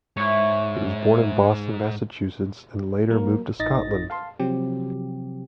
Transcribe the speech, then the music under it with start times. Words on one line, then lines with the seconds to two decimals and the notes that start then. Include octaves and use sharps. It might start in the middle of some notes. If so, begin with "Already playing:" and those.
He was born in Boston, Massachusetts and later moved to Scotland.
0.17 G#2 E4 C#5
3.10 F#3 A#3 A#4
3.59 A1 D#4 D#5 A6 A#6
4.10 F5 A5 C6
4.39 C3 F3 F#3 C4 G4